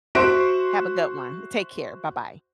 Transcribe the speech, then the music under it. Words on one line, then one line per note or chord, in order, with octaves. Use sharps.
Have a good one. Take care. Bye-bye.
F#4 C5 E5 C6 C#6 D7